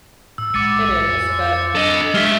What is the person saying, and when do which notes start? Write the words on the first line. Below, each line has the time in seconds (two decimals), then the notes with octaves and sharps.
It is. But
0.38 A2 E6
0.54 B1 A2 G#3 D6 A6 C#7
1.10 F2 G#5
1.75 F#3 D4 A4 D#5
2.14 G#3 G4 E5 F6 D#7 G7